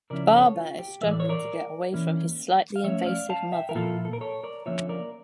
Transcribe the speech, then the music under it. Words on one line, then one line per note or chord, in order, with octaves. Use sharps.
Baaba is struggling to get away from his slightly invasive mother.
C#3 F3 C#4 E4 A#4 D5
D5
A4 C#5
F4
G4
A2 E3 A3 E5
D5
C#5
A#4 D5
E3 A#3 C#4 E4
F5
F3 A3 C#4 C#5 E5
D5 F5
F5 A5
E5 G5
A#4
A#2 F3 A#3 E4 F4 A4
A4
A#4
A4 C#5
A#4 D5
D3 F3 A#3 C#4 F4 C#5 E5
A#4 D5